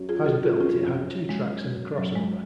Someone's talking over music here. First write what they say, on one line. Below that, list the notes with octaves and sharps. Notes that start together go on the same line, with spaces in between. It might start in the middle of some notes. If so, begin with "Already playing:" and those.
As built it had two tracks and a cross-over.
Already playing: F#2
F4 G#4
F#4 A4
F4 G#4
F2 C#4 F4
F#2
F2
F#2
G#3
F#2
F#3
G#3